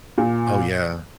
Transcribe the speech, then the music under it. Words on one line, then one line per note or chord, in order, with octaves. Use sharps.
Oh, yeah.
A#2